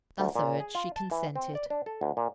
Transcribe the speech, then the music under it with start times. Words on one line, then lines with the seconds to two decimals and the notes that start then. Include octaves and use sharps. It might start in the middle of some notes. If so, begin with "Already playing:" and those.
Thus urged, she consented.
0.20 D2
0.35 A#2
0.60 G#4
0.75 F4
0.96 A5
1.11 E3
1.36 C4
1.55 D5
1.70 D4
1.86 A4
2.01 D2
2.17 A#2